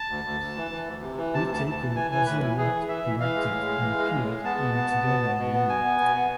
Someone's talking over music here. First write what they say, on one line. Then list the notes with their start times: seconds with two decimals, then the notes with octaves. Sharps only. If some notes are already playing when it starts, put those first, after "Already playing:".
Whitaker also wrote, directed and appeared in "Together and Alone".
Already playing: A5
0.09 D2
0.24 D2
0.40 D2
0.56 E3
0.71 E3
0.86 D2
1.02 C3
1.17 E3
1.33 C3 A5
1.49 D2 A5
1.65 D2
1.72 A5
1.79 E3
1.95 E3 G#5
2.11 E3 G#5
2.26 A2 B4
2.42 E3 E4
2.57 E3 G#4
2.73 E3
2.88 E3 E5
3.04 E3
3.20 E3 F5
3.35 G#3
3.51 A2
3.67 G#3
3.82 E3
3.98 G#3
4.13 A2
4.28 G#3
4.44 B3 A5
4.60 B2
4.75 B3
4.90 B3
5.07 B2
5.22 B2
5.38 B2
5.53 B3
5.68 B2 G#5
5.84 B3
6.00 B2
6.16 B3